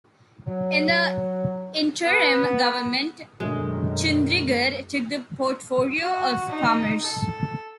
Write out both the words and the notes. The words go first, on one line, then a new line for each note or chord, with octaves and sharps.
In the Interim Government, Chundrigar took the portfolio of Commerce.
F#3
B3
F#2 B2 D#3 G#3 A3 D4
F#4
D#4
A4